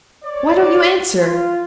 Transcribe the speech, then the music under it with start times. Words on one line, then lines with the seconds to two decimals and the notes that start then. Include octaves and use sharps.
Why don't you answer?
0.24 C#5 D5
1.18 F4